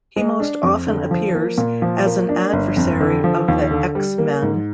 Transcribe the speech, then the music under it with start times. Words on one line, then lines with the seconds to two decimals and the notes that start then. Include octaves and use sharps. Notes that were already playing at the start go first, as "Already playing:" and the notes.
He most often appears as an adversary of the X-Men.
0.16 G#3
0.40 D4
0.63 F2
0.87 D3
1.11 F3
1.35 A#3
1.58 A#2
1.82 F3
2.06 A#3
2.29 D4
2.53 G1
2.77 F2
3.00 D3
3.24 F3
3.48 D#2
3.71 D3
3.95 G3
4.18 A#3
4.42 G#2